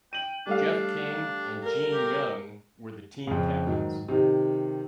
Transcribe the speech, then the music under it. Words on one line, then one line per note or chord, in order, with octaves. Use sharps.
Jeff King and Gene Young were the team captains.
G5 D#7 F#7
G3 A3 D4 F5
A#4
G4
F2 C#3
G#2 D#3 F#3
C3 D#3